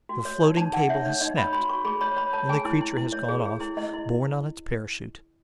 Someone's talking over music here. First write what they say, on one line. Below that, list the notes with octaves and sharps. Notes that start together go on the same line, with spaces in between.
The floating cable has snapped and the creature has gone off, borne on its parachute.
F#4
C#5
D#4
D#4 A5
D#4 F#5
C#5 E5
D#4 C#5
D#4 D#5
C#5 B5
F#4 B5
F#4 C#6
G#4 B5
C#5 B5
C#5 B5
C#5 A5
G#4 G#5
E4
E4
E4
C#5
G#4
G#4
E4
E4 D#5
E4